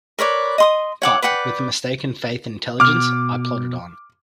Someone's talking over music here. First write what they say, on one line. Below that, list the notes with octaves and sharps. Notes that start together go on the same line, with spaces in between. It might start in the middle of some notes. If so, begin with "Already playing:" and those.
But, with a mistaken faith in intelligence, I plodded on.
A#4 B4 C#5 D5
D#5 C6 D#6
C#5 F#5 D6
B4 D5 F#5 G5
B2 D6 F6